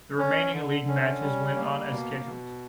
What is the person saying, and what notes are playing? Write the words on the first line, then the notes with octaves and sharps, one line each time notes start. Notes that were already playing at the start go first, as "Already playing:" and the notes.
The remaining league matches went on as scheduled.
C#4
D3
C#4
G3
A#3
B2
B2